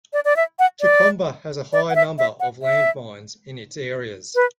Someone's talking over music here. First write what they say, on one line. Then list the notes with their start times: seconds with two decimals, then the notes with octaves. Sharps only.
Chikomba has a high number of land mines in its areas.
0.13 D5
0.25 D5
0.36 E5
0.59 F#5
0.81 D5
1.73 D5
1.90 F#5
1.95 E5
2.18 E5
2.40 F#5
2.63 E5
4.35 B4